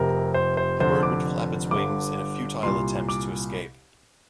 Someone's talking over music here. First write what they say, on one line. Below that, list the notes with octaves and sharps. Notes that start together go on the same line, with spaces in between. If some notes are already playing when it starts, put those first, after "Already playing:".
The bird would flap its wings in a futile attempt to escape.
Already playing: F1 F2 C3 A#4
C5
C5
F1 F2 D3 C5
D6
G1 G2 D3 D6
C2 A#2 C6
D6